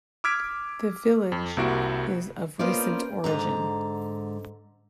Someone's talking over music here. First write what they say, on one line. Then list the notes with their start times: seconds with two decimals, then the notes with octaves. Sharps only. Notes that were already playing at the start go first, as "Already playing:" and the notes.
The village is of recent origin.
0.24 D6 E6 F6 G#6 B6 D7
1.32 F2
1.57 C2 C3 A#3 E4 F#4 D7
2.59 A#3 B3 C#4 F4 C5 D5
3.24 G#2 D3 A#5